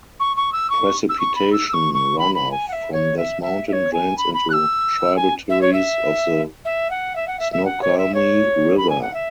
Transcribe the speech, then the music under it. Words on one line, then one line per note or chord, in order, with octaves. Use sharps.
Precipitation runoff from this mountain drains into tributaries of the Snoqualmie River.
C#6
C#6
E6
C#6
E6
C#6
B5
E6
E6
C#6
C#6
B5
B5
G#5
F#5
E5
C#5
E5
E5
E5
C#5
G#5
B5
B5
F#6
E6
G#5
E5
C#5
E5
E5
F#5
E5
F#5
E5
E5
F#5
C#5
E5
C#5
B5
G#5
F#5
E5